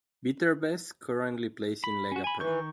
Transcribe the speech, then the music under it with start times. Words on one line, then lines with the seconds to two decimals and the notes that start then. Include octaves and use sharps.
Viterbese currently plays in Lega Pro.
1.84 B5
2.12 C#4 F#4
2.24 G#5 B5
2.40 D#3 E3 C#6 G6